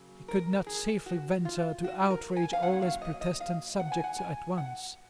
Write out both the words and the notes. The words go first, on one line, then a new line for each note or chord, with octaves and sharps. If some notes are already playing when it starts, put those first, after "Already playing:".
He could not safely venture to outrage all his Protestant subjects at once.
Already playing: C#3 F#3 A#3
A#4
G#4
F#4
F4
F#4
A#4
G#5
F5
A#2 F#3 C#4 F#5
F5
D#5
D#5
F5
F#5
G#5
F#5
G#5
F#5